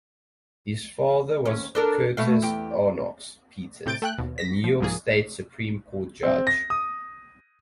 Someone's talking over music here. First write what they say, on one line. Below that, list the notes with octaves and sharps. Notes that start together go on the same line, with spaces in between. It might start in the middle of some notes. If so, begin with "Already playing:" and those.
His father was Curtis Arnoux Peters, a New York State Supreme Court judge.
D#2 C#4
D4 A4 A#4
B2 A3 F5
E2 G4
A2 C3 G6 A6 D7
A3 G5 F#6
D#2 B2
A#6 B6
F3
C2 G#2 F3 A#3 G#4
C4
A#6
D#6